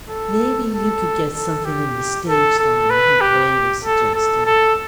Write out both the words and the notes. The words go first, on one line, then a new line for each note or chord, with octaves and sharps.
"Maybe you could get something in the stage line?" he blandly suggested.
A4
A4
A4
G4
A4
A4
B4
G4
A4
A4
A4